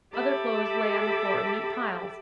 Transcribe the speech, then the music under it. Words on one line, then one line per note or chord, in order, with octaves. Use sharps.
Other clothes lay on the floor in neat piles.
G4 A4 E5 B5 D6